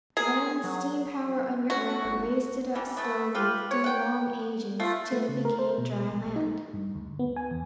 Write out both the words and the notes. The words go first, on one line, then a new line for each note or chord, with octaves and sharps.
Then the steam-power underground raised it up slowly, through long ages, till it became dry land.
G#4 A#4
F#3
C#4 F#4
G1
D3 E3 G3
A3 B3
F4 G4 B4
C#5
F#5 G5
A3 F4
A3
C#3
A#4
C5
B2
A#1
D#4
G2
D2
B3
G#5
E2